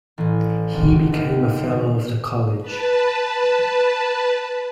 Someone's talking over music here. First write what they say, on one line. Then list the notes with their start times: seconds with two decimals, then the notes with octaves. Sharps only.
He became a fellow of the College.
0.18 A1
0.73 G#1
0.88 F#4
1.12 D#2
1.71 C#3
2.62 B4 A5